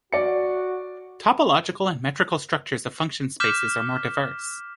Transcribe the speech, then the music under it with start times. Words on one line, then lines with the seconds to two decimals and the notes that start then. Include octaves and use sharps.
Topological and metrical structures of function spaces are more diverse.
0.13 F#4 D5 C#7
3.40 D6 F6 G6 B6 E7 G7